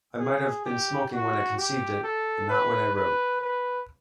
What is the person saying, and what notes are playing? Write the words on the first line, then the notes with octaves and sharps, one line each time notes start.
I might have been smoking when I conceived it, but not when I wrote.
G#4
G4
F#4
G4
A4
B4
B4
B4